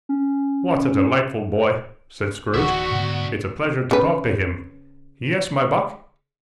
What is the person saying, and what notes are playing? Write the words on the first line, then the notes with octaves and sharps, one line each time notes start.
'What a delightful boy!' said Scrooge. 'It's a pleasure to talk to him. Yes, my buck!'
C#4
D1 D#3 D4 F#4 E5
G#2 B2 D3
C#3 B4